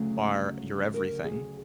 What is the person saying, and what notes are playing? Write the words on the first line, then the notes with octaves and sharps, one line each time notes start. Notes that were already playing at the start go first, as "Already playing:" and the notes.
are your everything.
Already playing: D2 C#3 F#3 A3
C#5
A#4
G#4